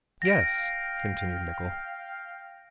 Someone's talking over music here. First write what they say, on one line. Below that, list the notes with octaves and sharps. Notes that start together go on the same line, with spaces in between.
"Yes," continued Nicholl.
F5 G5 A#6 D7